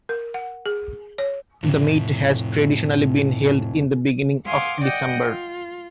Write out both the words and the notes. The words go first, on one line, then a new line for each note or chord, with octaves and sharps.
The meet has traditionally been held in the beginning of December.
A#4
F#5
G#4
C#5
F2 A2 C3
F5 F#5 G#5 C6 D6 D#6
D5 D#5 F#5 G5 D#6
F4